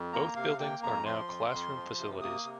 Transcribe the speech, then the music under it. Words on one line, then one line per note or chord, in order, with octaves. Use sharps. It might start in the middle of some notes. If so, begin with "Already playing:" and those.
Both buildings are now classroom facilities.
Already playing: F2
A#3 A#5
C3 F5
A#3 G5
F2 A#5
F3 C6
F2
F2
F3
C3
A#3 D#6
C3